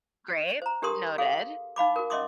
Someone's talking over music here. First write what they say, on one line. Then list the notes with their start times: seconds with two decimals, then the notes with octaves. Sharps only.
Great. Noted.
0.62 C5 A#5
0.82 D4 G4 A4 A#4 C6 D#6
1.18 G#4 A4 F5
1.76 D#4 F5 B5 D6
1.96 F#4 A#4
2.10 C#4 D#5 E5 C6 D6 D#6